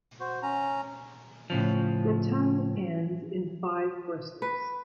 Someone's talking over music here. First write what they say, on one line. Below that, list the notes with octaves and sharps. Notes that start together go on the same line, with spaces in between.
The tongue ends in five bristles.
F#4 C5
C#4 A#5
A2 C#3 F3
B4